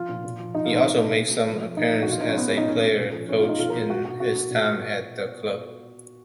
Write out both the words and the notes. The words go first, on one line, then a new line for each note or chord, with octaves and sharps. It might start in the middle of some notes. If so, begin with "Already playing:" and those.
He also made some appearances as a player-coach in his time at the club.
Already playing: F3 F4
A#2
A#2
F3
F3 D#4
F4
A#2
D#4
B2
B2
B2
B2
F3
F3
A#2 D#4
F3
F#4
A#2 F4
F3 D#4
C#4
F3 B3
C#4
A#2 D#4
B2 C#4
B2
A#2
F3
B2 C#4
F4
B2
D#4
F3 F4
A#4
A#2
B2 F#4
B2 F#4
B2 F#4
B2
A#2